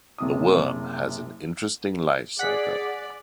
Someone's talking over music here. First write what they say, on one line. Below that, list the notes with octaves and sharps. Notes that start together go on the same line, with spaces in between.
The worm has an interesting lifecycle.
F#1 C3 D#6
G#4 D5 F#5 B6